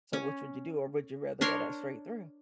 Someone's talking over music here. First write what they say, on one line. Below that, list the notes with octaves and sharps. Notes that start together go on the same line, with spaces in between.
So, which would you do, or would you rather go that straight through?
C#4
D4 A#4 C#5 C6